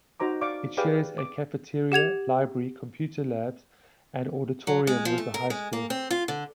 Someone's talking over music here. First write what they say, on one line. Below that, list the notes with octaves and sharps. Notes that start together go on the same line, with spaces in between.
It shares the cafeteria, library, computer labs, and auditorium with the high school.
D#4 F#4 C5 A#5 D6
D5 F5 C#6 D6
G4 G#4 B4 D5 F5 G5
D6
G4 F#5 G#6 F7
F#3
G#3
F3
A3
A#4
G#3
A#3
C4
F4
D3